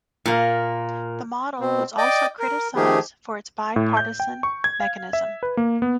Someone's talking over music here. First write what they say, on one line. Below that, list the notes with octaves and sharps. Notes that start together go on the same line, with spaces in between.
The model was also criticised for its bi-partisan mechanism.
A#2 A#3
B2 C4
D5 D#5 G5 D6
A#4
D#3 F3 A3 G4 G#4
A2
G6
G5
C#6
G#6
F5
E5
B4
A#3
B3